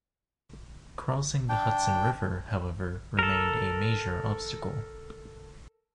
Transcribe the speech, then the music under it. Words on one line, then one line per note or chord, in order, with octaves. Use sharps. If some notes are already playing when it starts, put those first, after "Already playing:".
Crossing the Hudson River, however, remained a major obstacle.
D4 G5
A4 A#4